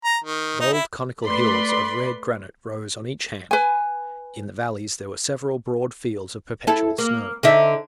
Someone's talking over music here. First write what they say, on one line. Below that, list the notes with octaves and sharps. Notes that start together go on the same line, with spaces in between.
Bold conical hills of red granite rose on each hand; in the valleys there were several broad fields of perpetual snow.
A#5
D#3
D#4
E4
A3 B4 D5 B5 C6
B4 G#5
E4 A4
A#3
D3 D#4 E5